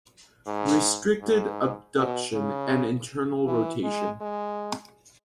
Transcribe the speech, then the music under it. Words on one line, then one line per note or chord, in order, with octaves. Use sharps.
Restricted abduction and internal rotation.
G#2
G#2
B2
C#3
E3
G#3
G#3